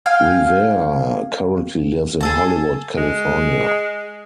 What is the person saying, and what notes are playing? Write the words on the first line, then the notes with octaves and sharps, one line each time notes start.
Rivera currently lives in Hollywood, California.
F5 G5 G#5 F6
G#4 A4 A5
G#3